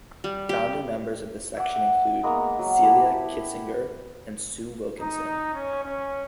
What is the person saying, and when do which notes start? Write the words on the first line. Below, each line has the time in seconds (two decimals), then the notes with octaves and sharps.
Founding members of the Section include Celia Kitzinger and Sue Wilkinson.
0.24 G3
0.49 G4
1.57 E5 F#5 D6
2.23 G#3 A#3 B3 A#5
2.59 F#3
2.81 E4 G4 B4 A5
5.01 D#4
5.54 C#4
5.84 C#4